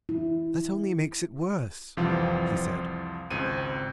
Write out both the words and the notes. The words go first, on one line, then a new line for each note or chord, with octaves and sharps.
"That only makes it worse," he said.
E4
C2 F2 E3 F3 C4 F4
G#1 C#2 C4 D#7